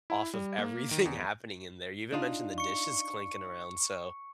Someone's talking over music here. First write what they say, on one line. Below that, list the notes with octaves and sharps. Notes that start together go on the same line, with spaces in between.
off of everything happening in there, you even mentioned the dishes clinking around, so,
E4
G3
A#3
D#3
E2
D4 D#4 F4
C#6 C#7